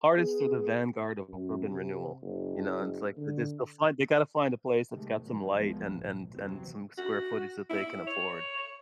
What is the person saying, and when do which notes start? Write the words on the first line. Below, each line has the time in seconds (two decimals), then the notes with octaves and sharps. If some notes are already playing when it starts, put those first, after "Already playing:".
artists are the vanguard of urban renewal. You know? And it's like, this they'll find they gotta find a place that's got some light and and and some square footage that they can afford,
0.16 B3 G#4
1.28 F#2
1.66 C3
2.22 F#1
3.17 D3
4.91 C3 D#3 G#3 A3
5.21 G#2 B2 D#3 E3 F#3
5.55 C2 G2 F3 G#3 A3 B3
5.90 G#1 A#2
6.33 E2 C3 F#3 C4
6.98 F#4
7.70 E4
8.07 C#5